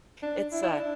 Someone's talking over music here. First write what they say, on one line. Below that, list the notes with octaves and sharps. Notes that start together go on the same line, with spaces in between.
it's a
D4
E4
E4
D4